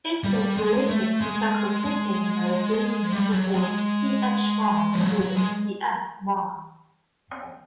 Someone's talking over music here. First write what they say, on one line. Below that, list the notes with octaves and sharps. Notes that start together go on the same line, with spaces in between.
It is related to cyclobutane by replacement of all C-H bonds with C-F bonds.
G3
G#3
A3
G#3
G#3
G3
F#3
G#3
F3
F#3
F#3
G#3